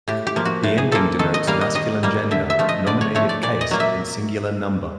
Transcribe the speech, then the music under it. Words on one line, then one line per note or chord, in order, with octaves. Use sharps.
The ending denotes masculine gender, nominative case, and singular number.
A2 G4
G4
F3 A#3
F#4
A2
G#4
F3 A#3 A4
D#3 A4
D#5
G3 A#3 F5
D#5
D#3 D#5
G3 A#3
D3 E5
E5
F3 A3
D#5
D3 D5
C#5
F3 A3 C#5
D5
A#2 D5
D#5
F#3 A#3
E5